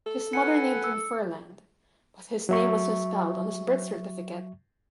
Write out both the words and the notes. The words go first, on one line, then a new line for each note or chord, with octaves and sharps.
His mother named him Furland, but his name was misspelled on his birth certificate.
A4
B4 F#5 G#5 C#7
E6
F#3 E5 C#6